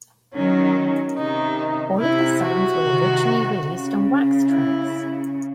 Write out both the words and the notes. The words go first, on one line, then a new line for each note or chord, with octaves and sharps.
All of the songs were originally released on Wax Trax!
D#3 F#3 C#4
C3 D#3 D#4
C3 E4
F#4
C3 D#3
C#3
E4